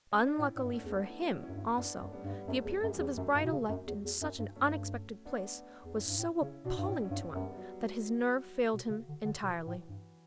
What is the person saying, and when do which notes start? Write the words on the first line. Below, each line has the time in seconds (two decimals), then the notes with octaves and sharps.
Unluckily for him, also, the appearance of his bride-elect in such an unexpected place was so appalling to him that his nerve failed him entirely.
0.12 C#4
0.26 D4
0.39 A2 C#4 E4
0.56 A2 B3 D4
0.63 G2
0.74 A3 C#4
0.85 E2
0.91 B3 D4
1.09 E4
1.19 F#4
1.29 C#4 E4
1.43 C#4 E4
1.49 F#2
1.55 G2
1.78 F#2 B3 D4
1.95 A3 C#4
2.02 F#2
2.13 G3 B3
2.24 G2
2.30 G3 B3
2.48 F#2 A3 C#4
2.65 E2
2.83 F#2
2.93 E3 G3
2.99 E2
3.17 F#2 F#3 A3
3.35 G2
3.44 B2
3.51 C#3
3.69 F#2
3.87 E2
4.05 E2
4.21 F#2
4.39 G2
4.56 G2 A3 C#4
5.25 B3 D4
5.84 E2
5.95 F#2 C#4 E4
6.06 G2
6.18 A2
6.41 C#3 C#4 E4
6.65 B2 D4 F#4
6.77 G2
6.87 A2 C#4 E4
7.04 C#4
7.10 G2 B3 D4
7.34 F#2 G3 B3
7.52 G3
7.57 F#3
7.81 F#3
8.74 B2
8.90 C#3
9.08 D3
9.25 D3
9.43 B2 E3
9.66 A2
9.89 G2